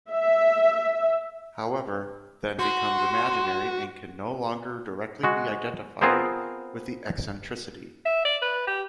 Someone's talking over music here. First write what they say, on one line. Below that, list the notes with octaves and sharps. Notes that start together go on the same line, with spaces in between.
However, then becomes imaginary and can no longer directly be identified with the eccentricity.
E5
F#4 C6
G#3 F#4
B3 C4 F4 G#4 A#4 C5
E5
D5
B4
G4